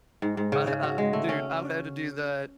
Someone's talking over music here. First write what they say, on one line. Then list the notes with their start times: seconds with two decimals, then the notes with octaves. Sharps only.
uh, uh dude, I've had to do that.
0.22 G#2
0.37 G#2
0.52 C#3
0.67 C#3
0.83 F#4
0.98 G#3
1.13 A3
1.29 C#4